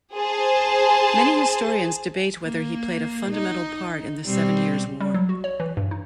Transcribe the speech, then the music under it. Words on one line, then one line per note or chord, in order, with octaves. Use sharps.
Many historians debate whether he played a fundamental part in the Seven Years' War.
G#4 C5 G#5 A5
A#3
D#4
B2 G3 C4
G3
F#3
F#4
C#5
E3
G2
D#4